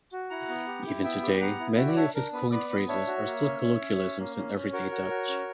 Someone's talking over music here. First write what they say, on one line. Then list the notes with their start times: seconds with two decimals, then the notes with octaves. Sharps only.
Even today many of his coined phrases are still colloquialisms in everyday Dutch.
0.12 F#4
0.30 E4 F#5 A#5
0.49 B3
0.67 G4
0.86 E4
1.04 B3 E5 G5
1.23 G4
1.40 B3 F#5 A#5
1.60 E4
1.77 F#4 E5 G5
1.87 D5
1.96 D4 C#5 E5
2.15 D4 A#4
2.33 B3 B4
2.51 B3 B4 D5
2.70 B3
2.88 D4 C#5 E5
3.07 F#4
3.25 A#3
3.44 C#4
3.62 C#4
3.81 C#4
3.99 C#4
4.18 A#3
4.37 C#4
4.55 C#4
4.72 F#4 A#4 C#5
4.91 F#4
5.10 F#4
5.29 C#4